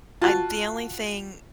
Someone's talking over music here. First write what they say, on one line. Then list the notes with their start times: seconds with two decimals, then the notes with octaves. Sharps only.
I the only thing,
0.22 F4 F#4 A5